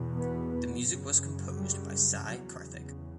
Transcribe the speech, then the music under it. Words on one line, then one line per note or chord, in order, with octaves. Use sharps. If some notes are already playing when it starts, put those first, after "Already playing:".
The music was composed by Sai Karthik.
Already playing: E2 B2
B3
F#2 C#3
G3
E2 C#3 F#3